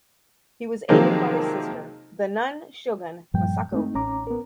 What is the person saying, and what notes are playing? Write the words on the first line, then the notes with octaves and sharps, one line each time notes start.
He was aided by his sister, the "nun-shogun" Masako.
C3 D#3 F3 F#3 G#3 A#3
G2 A#2 F3 G3 G5
G#3 A3 C4 D#4
A1 C#4 A#5 D6
B3 A#4